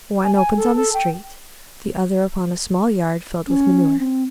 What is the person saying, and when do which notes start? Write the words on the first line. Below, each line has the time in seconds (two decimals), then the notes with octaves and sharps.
One opens on the street, the other upon a small yard filled with manure.
0.24 G#5
0.36 G#5
0.57 A4
0.76 A4
0.94 G5
3.48 C#4
3.99 C4